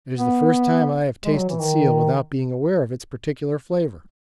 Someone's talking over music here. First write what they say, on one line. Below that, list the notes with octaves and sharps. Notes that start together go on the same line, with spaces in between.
It is the first time I have tasted seal without being aware of its particular flavour.
B3
G#3
F#3
E3
D#3